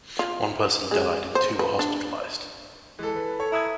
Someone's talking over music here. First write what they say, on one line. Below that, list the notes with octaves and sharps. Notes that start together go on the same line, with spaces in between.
One person died and two were hospitalized.
F4
G#3
C5
B4
D4
E3 G#3 A4
B4
A4 C#5
E4 A#5 D#6 G#6